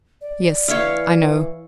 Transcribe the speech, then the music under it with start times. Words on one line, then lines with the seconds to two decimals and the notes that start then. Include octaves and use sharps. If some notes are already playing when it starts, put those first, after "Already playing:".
Yes, I know.
0.21 D5
0.68 E3 C#5 E5 F5